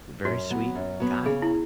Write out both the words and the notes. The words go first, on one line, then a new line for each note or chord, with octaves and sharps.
very sweet guy.
F#2 F#4
F#3 B3
F#2
F#3 B3
C#3 G#4
E4